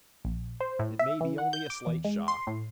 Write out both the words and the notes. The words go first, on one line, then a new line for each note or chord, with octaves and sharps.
"It may be only a slight shock."
A#1
C5
A2
E5
E3
F#5
G6
D6
E2
G#3
C6
A2